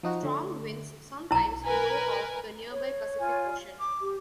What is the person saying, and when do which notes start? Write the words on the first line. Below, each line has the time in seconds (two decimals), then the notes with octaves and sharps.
Strong winds sometimes blow off the nearby Pacific Ocean.
0.03 F3 D#4 F#4
0.23 D3 A3
1.31 B1 E4 A#5
1.66 A#4 B4 G#5
2.71 C#5
3.18 F4 G#5
3.78 D6
4.01 G4